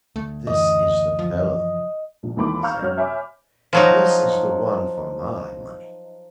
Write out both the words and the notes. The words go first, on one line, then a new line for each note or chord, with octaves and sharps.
"This is the fellow," he said, "this is the one for my money."
D2 A3
F#2 C#3 E3 D#5
F3
A#1
D#2 E3 A3 B5 C6 D6
F5 A#5 C#6 E6 F6 G6
F#2 C#5 F6
C#5 E5 G#5 B5 D6
F3 F#3 D#4